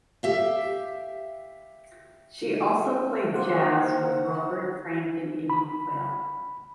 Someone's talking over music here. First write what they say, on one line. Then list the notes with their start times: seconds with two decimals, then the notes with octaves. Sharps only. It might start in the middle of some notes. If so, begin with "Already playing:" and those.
She also played jazz with Robert Frank and Iggy Quail.
0.23 G4 E5 F5
3.34 D#3 A#3 C5 F#5
5.50 B5